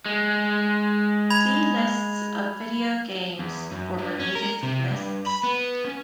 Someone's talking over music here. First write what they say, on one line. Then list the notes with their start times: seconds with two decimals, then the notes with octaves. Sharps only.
See Lists of video games for related lists.
0.06 G#3
1.30 B5 G#6 F7
3.39 E2
3.71 F#2
3.98 G2
4.19 C#4
4.35 A#4
4.63 C3
4.91 G2
5.27 B5
5.44 B3
5.85 C#4